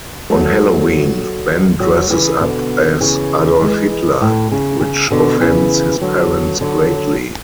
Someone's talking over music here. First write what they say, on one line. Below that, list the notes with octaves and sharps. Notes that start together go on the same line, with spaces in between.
On Halloween, Ben dresses up as Adolf Hitler, which offends his parents greatly.
F#3 A3
D3 F#3
C#3 E3
B2 D3
C#3 E3
E3 G#3
A2
C#3
C#3
B2 D3
C#3 E3
D3 F#3
D3 F#3